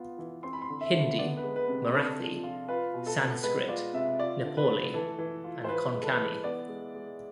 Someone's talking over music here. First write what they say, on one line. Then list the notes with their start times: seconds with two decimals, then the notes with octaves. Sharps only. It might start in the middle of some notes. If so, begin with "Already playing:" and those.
Hindi, Marathi, Sanskrit, Nepali and Konkani.
Already playing: B3 F4
0.18 E3
0.43 C4 C6
0.53 B5
0.62 C6
0.69 D3
0.81 E5
0.93 D3
1.18 B3 D5
1.37 B4
1.43 G#3
1.56 B4
1.68 C3
1.94 D4 A4
2.19 F3
2.43 F4
2.68 F4 B4
2.94 B2
3.06 A4
3.18 B3
3.43 G#3 B4
3.68 F4 D5
3.93 C3 E5
4.19 F4 D5
4.44 D3
4.57 B4
4.68 A3
4.94 E3 A4
5.18 E3
5.44 F4
5.64 C5
5.69 E3 B4
5.95 G#3
6.02 A4
6.06 B4
6.19 E3
6.44 B3 D5
6.69 G#3
6.95 G#3